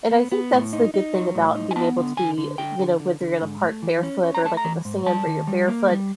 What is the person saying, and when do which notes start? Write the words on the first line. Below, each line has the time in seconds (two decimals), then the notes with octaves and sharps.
And I think that's the good thing about being able to be, you know, whether you're going to the park barefoot or, like, in the sand where you're barefoot.
0.11 B3
0.32 B3
0.52 A2
0.73 D#4
0.94 D#4
1.14 F#3
1.35 A2
1.55 D#4
1.71 G#5
1.76 B3 A5
1.97 D3
2.17 D3 G#5
2.38 D3
2.58 D3 G5
2.79 D3
3.00 D3
3.21 D3
3.41 G#2
3.61 A3
3.83 E3
4.03 C#4
4.23 C#4
4.35 A#5
4.44 A3 A5
4.57 A#5
4.65 E3
4.85 G#2
5.06 G3 A5
5.27 D#3
5.47 G3
5.68 A#3
5.88 G3